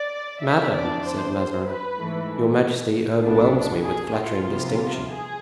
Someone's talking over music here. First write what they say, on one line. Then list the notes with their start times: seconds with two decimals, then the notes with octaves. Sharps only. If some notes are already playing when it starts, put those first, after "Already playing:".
"Madame," said Mazarin, "your majesty overwhelms me with flattering distinction."
Already playing: D5
0.43 E5
0.74 F2 E3 B3 D4 D5
1.05 C5
1.68 B4
1.99 G#2 E3 A3
3.23 B1 B2 B3 D4
3.84 G#4
4.16 F4
4.46 C2 C3 F3 B3
5.09 G#4